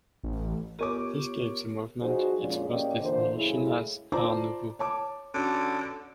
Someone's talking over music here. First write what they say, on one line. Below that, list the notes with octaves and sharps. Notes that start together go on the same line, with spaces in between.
This gave the movement its first designation as Art Nouveau.
A1
B3 F4 G4 A#4 C#5 D6
F3 G3 D#4 F#4 G#4 C5
F2 A#2 F3 G#3 C#4 D4
A2 A#3 C#4 G4 D5 D#5
E2 A#2 D3 E3 A#3 C5
F#2 A2 C#3 G#3 C#4 E4
F4 C5 D5 A5 A#5 D6
C#5 A5 D6
D3 C#4 F#4